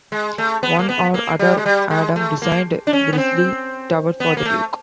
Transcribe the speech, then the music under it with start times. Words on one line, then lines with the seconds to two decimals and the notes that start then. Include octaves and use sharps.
One or other Adam designed Brizlee Tower for the duke.
0.12 G#3
0.38 A3
0.63 B3
0.79 A#3
0.89 B3
1.14 A#3
1.39 G3
1.57 G#3
1.66 G3
1.90 G#3
2.16 A3
2.42 A#3
2.87 D4
2.93 C#4
3.13 B3
3.18 C4
4.20 B3
4.37 A#3
4.45 A3